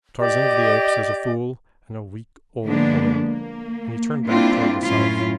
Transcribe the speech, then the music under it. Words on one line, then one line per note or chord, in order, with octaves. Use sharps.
"Tarzan of the Apes is a fool and a weak, old woman," and he turned back toward the south.
G4 D5 D#5
D3 F3 G#3 A#3 B3 D4
A#3
G3 A#3 C4 D4 E4 F4
F#2 A2 C#4 E4 F4